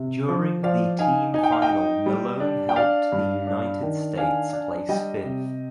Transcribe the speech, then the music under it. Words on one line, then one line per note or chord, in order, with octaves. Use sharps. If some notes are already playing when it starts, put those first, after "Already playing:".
During the team final Malone helped the United States place fifth.
Already playing: C3
F3
F3 D5 F5
D#4 F5 G#5
D#4 G#5
G5
F5
D#5 G5
D#4
G3
D4
G5
D4 D5 F5
G2
D4
D#3
D4 F5 G#5
D4
G3 D#5 G5
C3